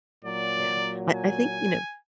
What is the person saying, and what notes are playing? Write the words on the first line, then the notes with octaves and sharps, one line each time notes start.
yeah, I I think, you know,
A#2 F#3 D5
G#5